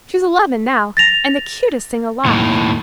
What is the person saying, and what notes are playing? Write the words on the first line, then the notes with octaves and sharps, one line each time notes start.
She's eleven now, and the cutest thing alive.
A6 A#6 F7
D#2 A2